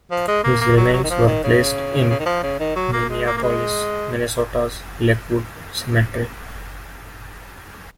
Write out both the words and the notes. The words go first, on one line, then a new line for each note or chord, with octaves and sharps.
His remains were placed in Minneapolis, Minnesota's Lakewood Cemetery.
F3
G#3
A#3
A#3
F#3
F#3
D#3
F3
D#3
C#3
C#3
D#3
F3
C#3
D#3
F#3
A#3
G#3
A#3
A#3
G#3